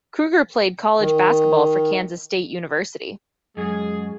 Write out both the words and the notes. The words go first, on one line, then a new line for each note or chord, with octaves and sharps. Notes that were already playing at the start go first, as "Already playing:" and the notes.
Kruger played college basketball for Kansas State University.
D#3
F#2 G#3 G#4